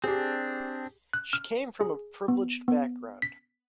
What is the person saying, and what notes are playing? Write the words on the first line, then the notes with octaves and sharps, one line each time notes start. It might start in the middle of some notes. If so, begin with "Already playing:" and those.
She came from a privileged background.
C4 D4 G4 G#4
F#6
F6
G#4
B3
B3
B6